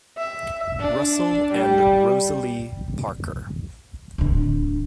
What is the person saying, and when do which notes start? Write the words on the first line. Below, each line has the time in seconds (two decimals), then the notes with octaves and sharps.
Russell and Rosalie Parker.
0.18 E5
0.80 D4
1.53 G3
4.18 D1 D3